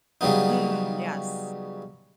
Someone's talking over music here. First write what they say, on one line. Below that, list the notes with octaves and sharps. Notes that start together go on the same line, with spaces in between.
Mm, yes.
C#3 F#3 G3 B3 D#4